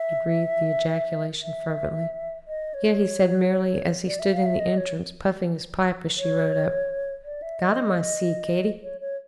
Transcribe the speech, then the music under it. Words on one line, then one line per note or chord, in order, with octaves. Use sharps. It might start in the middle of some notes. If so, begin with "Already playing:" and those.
He breathed the ejaculation fervently, yet he said merely as he stood in the entrance puffing his pipe as she rode up, "Got 'em, I see, Katie!"
Already playing: E5
E5
D#5
C#5
D5
E5
F5
E5
D#5
C#5
C#5
D5
E5
D#5
C#5
C#5